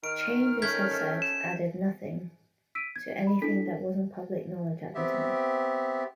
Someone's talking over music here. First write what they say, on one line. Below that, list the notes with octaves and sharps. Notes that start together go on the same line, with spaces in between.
Chambers had said added nothing to anything that wasn't public knowledge at the time.
D#3 F6 D7
A3 C#4 G6 G#6 B6
A4
E7
E6 B6 D7 D#7
G#6
B5
D4 E4 A4 B6
B3 C4 G4 E5